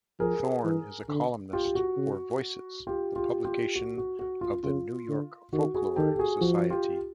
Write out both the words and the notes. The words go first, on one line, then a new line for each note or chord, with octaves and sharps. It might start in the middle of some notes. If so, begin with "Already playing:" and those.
Thorn is a columnist for "Voices", the publication of the New York Folklore Society.
F3 G#4 A#4
E3
D3
F4 G4
G4
F#4
C#3
F4 G4
F4 G4
F4 G4
F#4
F#4
F#4
F4
C#3 F4
D3
D#3 F#4
F#4 G#4
D#3 G4 A4
G4
F#4 G#4
F3 F#4
F4 G4